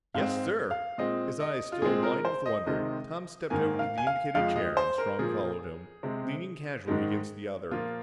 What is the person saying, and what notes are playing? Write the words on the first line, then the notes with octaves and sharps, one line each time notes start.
"Yes, sir." His eyes still wide with wonder, Tom stepped over to the indicated chair and Strong followed him, leaning casually against the other.
G#2 G#3 C4 F5
F5
A#2 G#3 C4 D#5
D#5
F4
A#2 G#3 C4 G#4
A#4
C5
D#5
C3 D#3 G#3 C4 D#5
G#2 D#3 A#3 G#5
F5
G#5
F5
F2 F3 G#3 F5
D#5
C5
A#4
A#2 F3 A#3 G#4
C3 G#3 C4
G#2 D#3 G#3
A#2 F3 A#3 F4